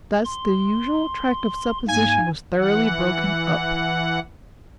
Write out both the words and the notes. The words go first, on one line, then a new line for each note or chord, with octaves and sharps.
Thus the usual track of supposition was thoroughly broken up.
C6
G#2 A#3 G#5
E3 F#5